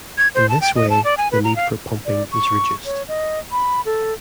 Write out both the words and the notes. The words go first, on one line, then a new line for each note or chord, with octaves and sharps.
In this way, the need for pumping is reduced.
G#6
C5
A5
G5
D#5
A5
D5
G#5
B4
A#5
F5
D5
C#6
C#5
D#5
B5
A4